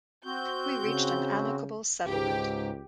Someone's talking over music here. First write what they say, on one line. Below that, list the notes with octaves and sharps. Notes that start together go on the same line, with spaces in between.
We reached an amicable settlement.
C4 F#4 G6
C#3
C#2 G#2 G4